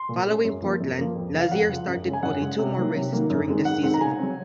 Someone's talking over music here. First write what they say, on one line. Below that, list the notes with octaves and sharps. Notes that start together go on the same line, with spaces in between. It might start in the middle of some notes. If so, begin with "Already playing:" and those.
Following Portland, Lazier started only two more races during the season.
Already playing: C6
A#2
G#3 C#4
F#2
F3 A#3
F#2
F3 A#3
F2
C#3 F3
F5
F2 F#5
C#3 F3
F#2
C#3 G#3 C#4
G#5
F#2 F#5
C#3 G#3 C#4
C3
D#3 F#3 A#3
C3
D#3 F#3 A#3
F#2
D#3 G#3 C4
F#2 F#5
D#3 G#3 C4 F#5
A#5
C#3 G#5
F#3 C4